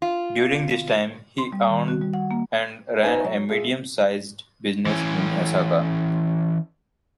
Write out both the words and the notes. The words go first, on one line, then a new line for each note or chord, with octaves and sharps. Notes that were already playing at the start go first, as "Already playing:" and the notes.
During this time he owned and ran a medium-sized business in Osaka.
F4
C6
G3
D#3
F#4
G3
F#5
A#3
D#4 B4 C5 G#5
F#3
F4 G#4 E5
E3 C#4